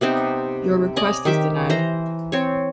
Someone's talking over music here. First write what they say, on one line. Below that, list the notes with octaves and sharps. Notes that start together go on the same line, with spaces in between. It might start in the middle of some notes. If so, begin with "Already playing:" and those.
Your request is denied.
C3 B3 C4 D#4
D5 D#5 G#5
D#3 G4 E5 D6
E3 C5 A#5
C4 C#5